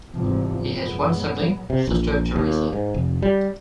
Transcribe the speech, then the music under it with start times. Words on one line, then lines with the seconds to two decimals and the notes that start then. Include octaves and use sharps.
He has one sibling, sister Teresa.
0.12 G1 E2 G#2 C3 F3
0.73 F#2 A#2 F#3 G#3 B3
1.70 C3
1.88 A#1
2.36 D#2
2.73 G#2
2.94 F1
3.22 G3